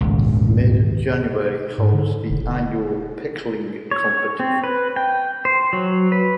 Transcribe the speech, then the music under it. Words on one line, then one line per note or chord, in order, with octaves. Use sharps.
Mid-January holds the annual Pickling Competition.
D#1 G#1 C#2
G#2
D3
E1
C#5
C4
B4
G5
C5
F#3
B4